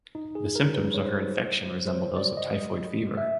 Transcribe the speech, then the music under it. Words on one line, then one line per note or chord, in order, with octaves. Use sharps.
The symptoms of her infection resemble those of typhoid fever.
D#4
G#4
A#4
B4
C#5
C5
C5
C#5
D5
D#5
D#5
E5